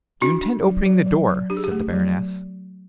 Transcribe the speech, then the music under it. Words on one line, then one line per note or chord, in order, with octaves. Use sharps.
"Do you intend opening the door?" said the baroness.
D4 F#4
D4
F#3
F#3
F#3
F#3
D4 G4
G#4
G4
A3
F#3